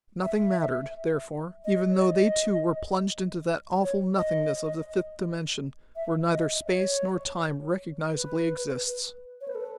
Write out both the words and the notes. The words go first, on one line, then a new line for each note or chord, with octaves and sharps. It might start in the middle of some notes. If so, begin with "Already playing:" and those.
Nothing mattered, therefore, even though they two were plunged into that awful nothingness of the fifth dimension, where neither space nor time recognizably exists.
E5
D#5
C#5
D#5
C#5
D#5
E5
D#5
C#5
B4
C#5
B4
A4